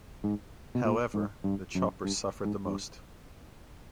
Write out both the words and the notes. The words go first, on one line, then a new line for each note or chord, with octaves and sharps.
However, the Choppers suffered the most.
G#2
B2
A#2
G#2
G2
F#2
G2
G#2
G2